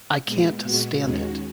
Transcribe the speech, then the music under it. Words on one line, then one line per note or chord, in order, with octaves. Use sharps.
I can't stand it.
A#2 G#3 B3
A#2 G#3 B3 F#4
D#2 D#3 G#3 C#4 F#4